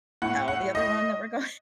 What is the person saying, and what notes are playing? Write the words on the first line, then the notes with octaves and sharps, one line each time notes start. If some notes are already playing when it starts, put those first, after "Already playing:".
tell the other one that we're going
A2 F#5
F#5
D#5